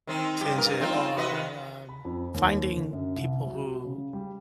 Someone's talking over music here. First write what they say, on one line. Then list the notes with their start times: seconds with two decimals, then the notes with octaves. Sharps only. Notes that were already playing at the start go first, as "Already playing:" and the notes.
things that are, um, finding people who
0.07 D#3 C4 D#4
0.41 G2 G4
0.55 G2 A#4
0.80 C4 D#4 F4
1.17 F#4 B4 D#5
1.32 D#3
1.89 B5
2.05 F2
2.34 D#2
2.76 D3
2.93 F#2
3.16 C2
3.46 F#3
3.85 C#3
4.13 G3